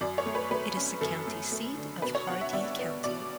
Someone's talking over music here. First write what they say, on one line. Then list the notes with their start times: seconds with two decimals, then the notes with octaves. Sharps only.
It is the county seat of Hardee County.
0.01 F#2 D5
0.18 C#5
0.26 A3
0.35 B4
0.51 A3 B4
0.77 C#4
1.01 F#2 A4
1.27 A3
1.52 A3
1.77 D3
2.02 B2 B4
2.15 C#5
2.27 B2 F#5
2.41 E5
2.53 G3 E5
2.79 B3
3.04 B2 D5